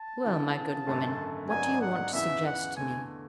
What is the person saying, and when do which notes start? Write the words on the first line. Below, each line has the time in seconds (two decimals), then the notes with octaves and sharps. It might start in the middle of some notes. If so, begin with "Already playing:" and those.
Well, my good woman, what do you want to suggest to me?'
Already playing: A5
0.23 C#3 E3 B3
0.87 G#1 F#2 D3 A3
1.49 G#1 G#2 F#3 B3 D4 G#5
1.81 F#5
2.13 E2 C#3 E3 B3 E5
2.45 F#5
2.76 E2 D3 A3 G#5